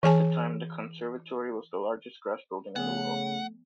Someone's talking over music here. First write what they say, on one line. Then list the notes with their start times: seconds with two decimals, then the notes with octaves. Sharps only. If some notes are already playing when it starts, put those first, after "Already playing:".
At the time, the conservatory was the largest glass building in the world.
0.03 E3 G#4 G#5 A5
2.76 C#3 F3 A3 B3 F#5